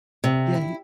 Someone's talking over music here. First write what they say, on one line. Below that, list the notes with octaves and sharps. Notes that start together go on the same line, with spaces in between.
Yeah, he
C3
E4